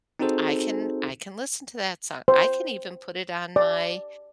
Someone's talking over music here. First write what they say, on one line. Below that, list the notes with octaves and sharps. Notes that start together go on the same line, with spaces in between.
I can I can listen to that song. I can even put it on my
C4 D#4 F#4 G#4 A4 C5
C5
D5